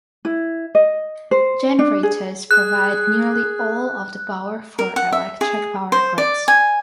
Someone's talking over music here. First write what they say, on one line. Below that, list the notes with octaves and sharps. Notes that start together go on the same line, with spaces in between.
Generators provide nearly all of the power for electric power grids.
E4
D#5
C5
D4
G#4
G#4 F#6
A#4
F#5
E5
G#4
C5
D5
G#5